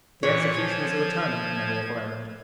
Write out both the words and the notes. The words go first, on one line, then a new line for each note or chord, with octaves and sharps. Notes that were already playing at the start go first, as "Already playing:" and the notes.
The executioners are returning, from their awful errand.
A#2 E3 C#5
F3 G#6